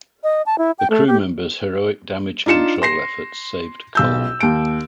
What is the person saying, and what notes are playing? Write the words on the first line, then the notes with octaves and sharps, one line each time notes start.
The crewmember's heroic damage control efforts saved "Cole".
D#5
A5
E4
G5
A3
G4
D4 D#4 F4 C#7 E7
C6 A#6 C7
B1 E6 G6
D#2 D7